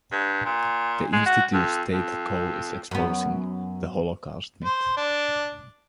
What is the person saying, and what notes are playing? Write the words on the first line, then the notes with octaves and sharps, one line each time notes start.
The Institute's stated goal is exposing "the Holocaust myth".
G2
A#2
G#3
F#4
F2
F2
F#2 B3
C5
D4